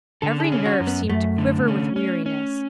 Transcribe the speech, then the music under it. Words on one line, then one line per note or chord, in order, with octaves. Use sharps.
Every nerve seemed to quiver with weariness.
D3 A4
A4
G#4
C#4
F#4
F#2
B3
F#2 A3
D3
C#4
C#4
C#4